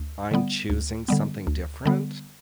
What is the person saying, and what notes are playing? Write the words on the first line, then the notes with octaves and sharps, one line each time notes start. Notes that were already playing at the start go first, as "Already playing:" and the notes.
I'm choosing something different,
Already playing: D2
D3 G3 B3
D2
D3 G3 B3
D2
D3 G3 B3